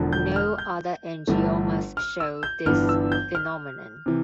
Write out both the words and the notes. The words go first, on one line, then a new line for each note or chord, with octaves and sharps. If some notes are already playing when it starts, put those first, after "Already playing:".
No other angiomas show this phenomenon.
Already playing: E1 E2 D3 F3
G6
F6
G6
G1 G2 E3 A3
F6
E6
G6
G1 G2 E3 B3 D4 F6
E6
G6
F6
C3 E3